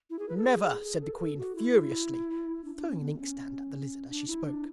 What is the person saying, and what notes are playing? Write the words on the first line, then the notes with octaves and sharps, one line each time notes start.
'Never!' said the Queen furiously, throwing an inkstand at the Lizard as she spoke.
E4
G#4
B4
A4
G#4
G#4
A4
B4
A4
F#4
E4
D4
D4
C#4
B3
B3
C#4
D4
E4
D4